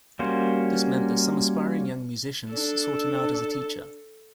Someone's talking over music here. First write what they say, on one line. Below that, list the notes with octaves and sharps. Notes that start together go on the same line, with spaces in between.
This meant that some aspiring young musicians sought him out as a teacher.
G3 A#3 C#4 F#4 C5
D4 A4